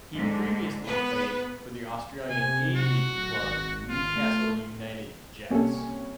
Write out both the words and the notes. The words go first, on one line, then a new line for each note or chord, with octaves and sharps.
He previously played for the Australian A-League club Newcastle United Jets.
G#2 D3
B3 B4
C3 G#5
F#4
D1
G#1
F4
A3
C2 A#3 C#4 G4 A4